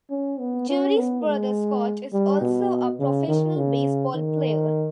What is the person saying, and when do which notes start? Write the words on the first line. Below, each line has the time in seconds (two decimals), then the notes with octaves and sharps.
Jerry's brother Scott is also a professional baseball player.
0.10 C#4
0.39 B3
0.69 C#4
0.97 B3
1.26 G#3
2.13 G3
2.41 B2
2.99 C#3
3.28 D#3
3.57 C#3
4.15 D#3